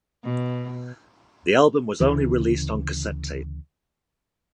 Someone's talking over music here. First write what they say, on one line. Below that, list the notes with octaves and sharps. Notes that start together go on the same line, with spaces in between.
The album was only released on cassette tape.
B2
D2 C#3 E3